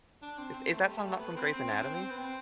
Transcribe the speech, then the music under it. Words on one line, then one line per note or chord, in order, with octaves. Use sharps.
Is is that song not from Grey's Anatomy?
D4
C4
C4
A3
G3
G3
A3
B3
C4
C4
D4
C4
C4
B3
C4